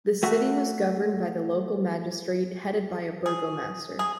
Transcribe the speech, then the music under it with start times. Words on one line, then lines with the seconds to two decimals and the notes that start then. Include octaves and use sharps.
The city was governed by the local magistrate headed by a burgomaster.
0.23 A3 F#4
3.26 G#4
3.99 G#4